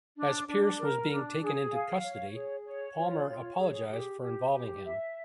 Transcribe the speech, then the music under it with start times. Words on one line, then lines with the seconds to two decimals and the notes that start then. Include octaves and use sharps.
As Pierce was being taken into custody, Palmer apologized for involving him.
0.17 D4
0.47 D4
0.79 A#4
1.10 D4
1.41 G#4
1.72 F5
2.04 C#5
2.34 G#4
2.65 C#5
2.96 F4
3.28 C#5
3.58 G#4
3.90 G4
4.21 G4
4.52 G4
4.83 E5